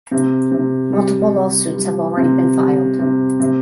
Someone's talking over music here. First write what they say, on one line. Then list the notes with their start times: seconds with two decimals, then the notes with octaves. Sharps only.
Multiple lawsuits have already been filed.
0.11 C3
0.51 C3
0.93 G3
1.34 G3
1.76 G3
2.17 C3
2.58 G3
2.99 C3
3.40 C3